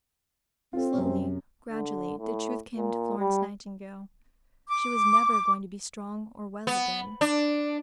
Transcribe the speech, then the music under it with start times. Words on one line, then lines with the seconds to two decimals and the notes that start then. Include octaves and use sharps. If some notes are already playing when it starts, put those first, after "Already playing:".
Slowly, gradually, the truth came to Florence Nightingale: she was never going to be strong or well again.
0.73 C4 F4 A4
0.94 F#2 C3
1.69 D3
2.19 A2
2.77 A#2
3.19 G3
4.68 D6
6.67 B3
7.21 D4